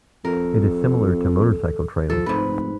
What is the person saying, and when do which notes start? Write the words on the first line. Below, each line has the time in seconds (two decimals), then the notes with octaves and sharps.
It is similar to motorcycle trials.
0.25 F2 A4 A#4
2.10 F3 A4
2.26 F1 G#2 B4